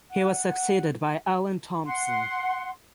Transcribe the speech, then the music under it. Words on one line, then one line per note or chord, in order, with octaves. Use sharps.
He was succeeded by Allen Thompson.
F#5
F#5 C6